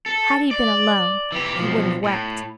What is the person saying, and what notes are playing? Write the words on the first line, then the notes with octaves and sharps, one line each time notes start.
Had he been alone, he would have wept.
A4
D5
E3 G4
B1 F3
A2